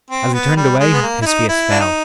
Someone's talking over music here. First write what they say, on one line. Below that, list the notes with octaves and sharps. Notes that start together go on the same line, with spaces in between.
As he turned away his face fell.
C4
B3
G3
G#3
B3
A#3
E4
D#4
E4
D4
D#4